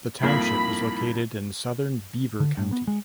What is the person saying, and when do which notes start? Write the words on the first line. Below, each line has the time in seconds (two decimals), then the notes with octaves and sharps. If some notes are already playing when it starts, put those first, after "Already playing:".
The township is located in southern Beaver County.
0.23 F2 A2 F3 G3 A#3 D#4 E4 B5
2.40 D3
2.57 G2
2.73 B3
2.87 G#3